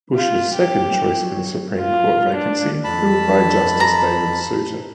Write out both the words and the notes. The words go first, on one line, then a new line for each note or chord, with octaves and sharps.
Bush's second choice for the Supreme Court vacancy filled by Justice David Souter.
F4
G4
F#3
F4
D4
F2 A5 B5
A#5